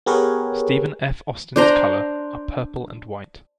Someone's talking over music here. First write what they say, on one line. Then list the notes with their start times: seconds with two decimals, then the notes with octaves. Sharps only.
Stephen F. Austin's color are Purple and White.
0.06 B3 G4 G#4 A#4 B4 C#5
1.56 D4 C5 A#5